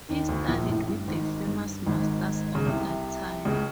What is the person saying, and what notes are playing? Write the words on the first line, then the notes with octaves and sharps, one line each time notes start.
He studied with the famous masters of that time.
D#2 D#3
D2 D3
A#1 A#2
A1 A2
G2
G#1 G#2
G2
G#1 G#2
C#3
C2 C3
C#2 C#3